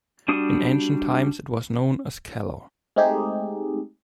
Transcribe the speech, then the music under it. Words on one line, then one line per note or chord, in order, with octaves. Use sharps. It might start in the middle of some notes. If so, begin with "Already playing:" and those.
In ancient times it was known as Calor.
G3 D4 F#4 D#6
G#3 A3 C4 D#4 G4 G#4